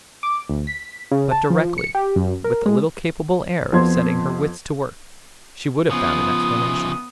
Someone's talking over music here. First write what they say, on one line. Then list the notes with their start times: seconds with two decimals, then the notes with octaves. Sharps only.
But directly, with a little capable air of setting her wits to work, she would have found an explanation.
0.23 D6
0.49 D2
0.67 B6
1.11 C#3
1.31 A5
1.50 F3
1.78 C#7
1.95 G4
2.16 F#2
2.44 A#4
2.66 G#3
3.72 F2 F3 B3 C4 C6 G#6
5.90 C#3 F3 B3 D#6